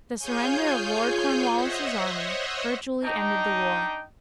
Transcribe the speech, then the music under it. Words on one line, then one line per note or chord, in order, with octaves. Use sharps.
The surrender of Lord Cornwallis' army virtually ended the war.
F4 G#4 C#5 G#5 G6
C5 C#5 D#5 E5 F#5
D4 D#4 D#5 G5 A#5